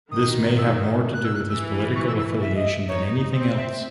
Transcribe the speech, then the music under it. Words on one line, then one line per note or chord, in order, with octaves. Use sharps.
This may have more to do with his political affiliation than anything else.
D#3 D#6
E6
F#6
E6
F#6
E3 E6
C#6
E6
E6
E5
D#5
E5
D#4 C#5
C4
E5